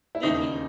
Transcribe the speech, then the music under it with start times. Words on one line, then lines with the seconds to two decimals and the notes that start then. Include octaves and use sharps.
Did you
0.15 E4
0.23 E1 D#2 C#3 D#4